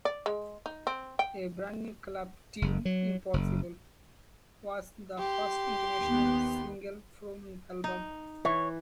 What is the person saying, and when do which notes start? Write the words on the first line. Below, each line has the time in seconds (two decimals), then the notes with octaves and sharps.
A brand new club tune "Impossible" was the first international single from the album.
0.05 D5
0.26 G#3
0.66 D#4
0.87 C4
1.19 G5
2.62 F#1
2.85 F#3
3.34 F#1
5.18 G4 C6
6.01 D#2 B3
7.84 D#4
8.45 E3 C#5